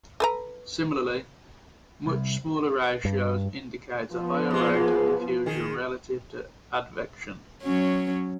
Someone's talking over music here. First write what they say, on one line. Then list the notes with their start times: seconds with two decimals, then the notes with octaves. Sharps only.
Similarly, much smaller ratios indicate a higher rate of diffusion relative to advection.
0.20 A4 B4 A#5
2.06 C2
3.05 G2
4.12 F3 B3
4.50 G#2 G#3
5.46 D#3 G#4
7.63 F#3 C#4